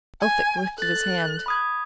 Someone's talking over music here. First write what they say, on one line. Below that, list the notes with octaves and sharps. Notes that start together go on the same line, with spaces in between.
Elphick lifted his hand.
G#5
A4 F#6 A6
B5 D#6 G#6